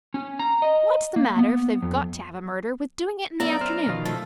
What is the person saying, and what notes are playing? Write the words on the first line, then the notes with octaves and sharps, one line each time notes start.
What's the matter, if they've got to have a murder, with doing it in the afternoon?
C#4
A#5
D#5
A#3
B3
F2
F#2 B3 D5 E5 A#5
C5 F6
B2 D#3 F4
F3 A3 A4